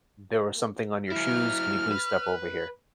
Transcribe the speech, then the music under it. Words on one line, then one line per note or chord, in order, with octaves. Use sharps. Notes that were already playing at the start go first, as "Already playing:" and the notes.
there was something on your shoes. Can you please step over here?"
F#3 E4 F6
B4